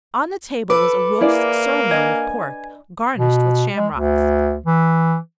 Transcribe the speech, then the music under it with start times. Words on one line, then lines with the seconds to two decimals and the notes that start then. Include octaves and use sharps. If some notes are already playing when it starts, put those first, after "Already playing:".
On the table was a roast sirloin of pork, garnished with shamrocks.
0.70 A4 B4 D6
1.21 A#3 E4 G#4 D5
1.91 D4 D#5 G#5
3.18 B2
3.76 G#3
3.93 D2
4.66 E3